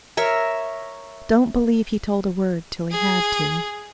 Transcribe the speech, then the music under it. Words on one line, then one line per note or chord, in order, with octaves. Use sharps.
Don't believe he told a word till he had to.
A#4 C#5 E5
G#4